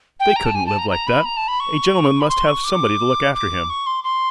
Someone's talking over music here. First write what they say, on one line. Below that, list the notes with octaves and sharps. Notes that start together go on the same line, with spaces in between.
They couldn't live like that, a gentleman must have somebody to look after him.
G5
A#5
A5
G#5
A5
A#5
A#5
B5
A#5
A5
B5
C#6
B5
C6
C#6
D6
D6
C#6
C6
C6